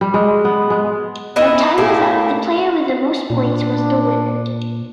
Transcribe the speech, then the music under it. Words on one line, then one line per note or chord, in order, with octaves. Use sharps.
When time was up, the player with the most points was the winner.
G3
G#3
B3
G#3
B3 E4 D#5 E5
A2 A3 A#3 E4
A#2 D4